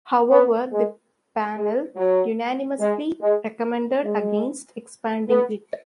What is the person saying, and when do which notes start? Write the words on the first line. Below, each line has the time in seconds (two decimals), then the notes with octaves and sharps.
However, the panel unanimously recommended against expanding it.
0.30 B3
0.72 G#3
1.55 G#3
1.96 F#3
2.79 G#3
3.21 G#3
4.04 G#3
5.29 B3